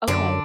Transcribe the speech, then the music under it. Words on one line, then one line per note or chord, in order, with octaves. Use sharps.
o o Okay.
F#2 D3 D4